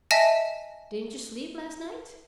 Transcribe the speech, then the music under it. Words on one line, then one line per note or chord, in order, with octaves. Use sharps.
"Didn't you sleep last night?"
D#5 E5 G#5 A5 A#6 B6